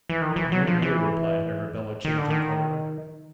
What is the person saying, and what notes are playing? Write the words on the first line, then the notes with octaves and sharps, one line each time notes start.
'Oh, no, no,' replied Arabella, changing colour.
E3
D#3
E3
F#3
F3
E3
D#3
D3
D#3